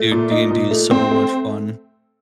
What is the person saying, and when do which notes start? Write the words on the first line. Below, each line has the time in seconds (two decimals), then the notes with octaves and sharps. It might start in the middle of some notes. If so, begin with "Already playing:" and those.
Dude, D&D is so much fun.
Already playing: A3
0.11 A#2
0.31 D#4
0.51 A#2
0.71 A3
0.91 C4
1.11 A3